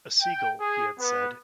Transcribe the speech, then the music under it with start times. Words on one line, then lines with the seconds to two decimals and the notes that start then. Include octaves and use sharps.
A seagull, he had said.
0.19 G5
0.59 G#4
0.98 B3